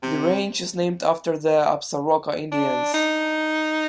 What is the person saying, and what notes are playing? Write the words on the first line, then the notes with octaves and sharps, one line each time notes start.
The range is named after the Absaroka Indians.
C3
D4
D#4